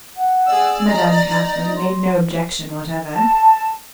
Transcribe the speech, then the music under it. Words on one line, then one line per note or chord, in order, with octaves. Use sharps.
Madame Catherine--made no objection whatever.
F#5
G#4 D5 E6
D#5 A#5
D#4
C6
A5